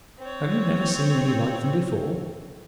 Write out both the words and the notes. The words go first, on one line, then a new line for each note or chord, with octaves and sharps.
"Have you never seen any like them before?"
C4 C#5